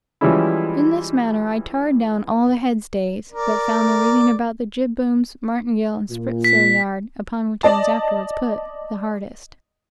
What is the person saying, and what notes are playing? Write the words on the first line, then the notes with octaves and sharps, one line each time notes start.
In this manner I tarred down all the head-stays, but found the rigging about the jib-booms, martingale, and spritsail yard, upon which I was afterwards put, the hardest.
E3 F3 G3 G#3 C#4 E4
A#4 D5
A#2
B6
D5 D#5 A5